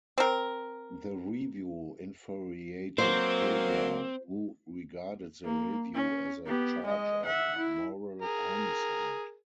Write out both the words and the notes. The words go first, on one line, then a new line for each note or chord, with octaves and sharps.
The review infuriated Pegler, who regarded the review as a charge of "moral homicide".
C4 A#4
F#3 A#3 C4 C5
A#3
C#4
B3 G4
G#3 D#5
E5 F#5
E4
G#4 A#4